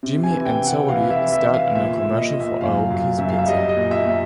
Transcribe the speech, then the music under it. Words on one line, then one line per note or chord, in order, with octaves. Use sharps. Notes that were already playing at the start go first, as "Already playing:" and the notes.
Jimmy and Sody starred in a commercial for Aoki's Pizza.
C3
G#5
E3
G5
C3
F#5
E3 F5
E5
E3
E5
E3
F5
A#2 E5
E5
A#2
D#5
A#2
E5
F#2 F5
F#2 F5
F#2 E5
F5
E5
G3 D#5
D#5
A#2
E5
A#2 E5